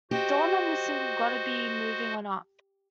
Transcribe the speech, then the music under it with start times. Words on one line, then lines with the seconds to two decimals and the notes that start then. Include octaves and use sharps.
Dawn on the single "Gotta Be Movin' On Up".
0.11 F#4 G4 C5 D#5